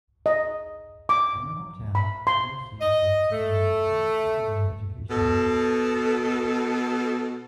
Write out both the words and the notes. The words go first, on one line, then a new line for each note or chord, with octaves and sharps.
In her hometown she received his primary and secondary education.
D#5
D6
B5
C6
D#5
A3
B2 A4